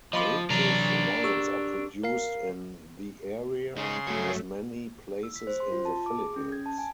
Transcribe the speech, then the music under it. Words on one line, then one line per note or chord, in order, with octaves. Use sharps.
Native wines are produced in the area, as in many places in the Philippines.
F3 D#5 B5 D6
C3 E3 F#3 D4 A#4
G4 C#6 E6
A#4 F5 C7
C#3 G#3 D#4 G#4 C6
G2 F#3 A3 C#5
E6
B6
C5
C6
F4
A5
D6
G#4
C#4
G#6
A5
G#5